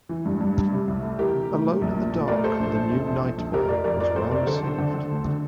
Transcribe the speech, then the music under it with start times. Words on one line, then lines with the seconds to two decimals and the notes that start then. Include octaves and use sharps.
"Alone in the Dark: The New Nightmare" was well received.
0.09 E3
0.25 G2
0.41 G2
0.57 G2
0.72 C3
0.88 C2
1.03 A3
1.19 E3 G4 A#4
1.34 C3
1.50 A3
1.65 A#2
1.81 A#1
1.97 A#2
2.13 A#2
2.28 A3 A#4 D5
2.44 A3 A4 C5
2.59 A#1
2.75 F3
2.91 A#1
3.07 A#1
3.22 F3
3.38 A#1
3.53 F1 G4 A#4
3.69 F3 A#4 D5
3.84 F2 A#4 D5
4.00 F3 A#4 D5
4.15 F2 A4 C5
4.31 C3 A#4 D5
4.47 D3 A4 C5
4.63 D3
4.78 D3
4.94 D3
5.10 D2
5.25 D3